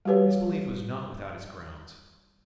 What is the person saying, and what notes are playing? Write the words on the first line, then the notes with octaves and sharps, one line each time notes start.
This belief was not without its grounds.
G3 F#4 G4 B4 C#5